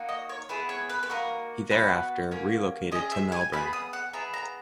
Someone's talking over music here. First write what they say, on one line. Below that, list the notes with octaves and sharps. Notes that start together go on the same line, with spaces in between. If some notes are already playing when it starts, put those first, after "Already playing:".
He thereafter relocated to Melbourne.
Already playing: A#3 D#4 F#4
D#5
C#5
B3 E4 G#4 B4
C#5
B4
B4
A#3 D#4 F#4 A#4
B3 D#4 F#4 B4
A#3 C#4 F#4
C#4 G#4 D#5
E5
G#5
B3 E4 G#4 B5
D#6
F#5
B3 E4 G#4 A#5
A#5